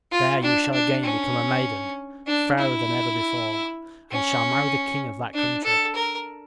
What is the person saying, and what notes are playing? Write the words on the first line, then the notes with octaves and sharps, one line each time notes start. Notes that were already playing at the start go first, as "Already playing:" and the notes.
There you shall again become a maiden, fairer than ever before, and shall marry the king of that country.
F4
D4
D4
C#4
D4
E4
C#4
D4
A4
A#4